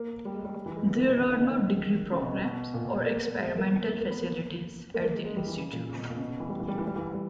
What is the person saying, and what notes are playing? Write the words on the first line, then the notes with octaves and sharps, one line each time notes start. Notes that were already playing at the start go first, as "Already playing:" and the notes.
There are no degree programs or experimental facilities at the Institute.
Already playing: A#3
G3
G#3
G3
G3
E3
G#3
B3
A#3
B2
C#3
D#3
C#3
D#3
C#3
B2
B2
B2
A#2
A#2
B2
A#3
B3
A#3
G#3
G#3
A#3
B3
A#3
A#3
B3
A#3
A#3
A#3
G#3
G#3
G3
E3
C#3
A#2
C#3
B2
A#2
C#3
B2
C#3
E3
G3
E3
G3
E3
G3
E3
G3